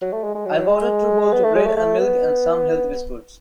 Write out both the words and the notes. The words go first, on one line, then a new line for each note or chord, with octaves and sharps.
I've ordered two bowls of bread-and-milk and some health biscuits.
F#3
A3
G#3
G#3
F#3
G#3
B3
A3
G#3
A3
A3
B3